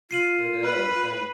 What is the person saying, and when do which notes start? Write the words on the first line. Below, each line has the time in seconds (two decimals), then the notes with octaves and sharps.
It is, and
0.11 F4 C7 D#7 F#7
0.63 B4 B5